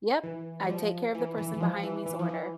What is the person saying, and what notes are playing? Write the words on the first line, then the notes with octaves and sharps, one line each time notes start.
Yep. I take care of the person behind me's order.
E3
G3
F3
E3
E3
E3
F3
E3
E3
F3
E3